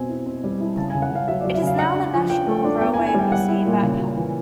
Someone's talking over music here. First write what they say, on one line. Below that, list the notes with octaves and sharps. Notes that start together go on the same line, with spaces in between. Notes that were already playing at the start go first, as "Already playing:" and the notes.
It is now in the National Railway Museum at York.
Already playing: B2 C4 G#5
E4
C4
G3
E4
C#3 A5
G#5
C#3
F#5
C#3 F5
F#3 E5
D5
F#3
E5
C#3 F5
D4 F#5
D4
F3
F3 G5
A3
D4
B3 G5
G#5
E4
G#5
G3 G5
G3 F#5
E4
A#2
C#3
C#3
E3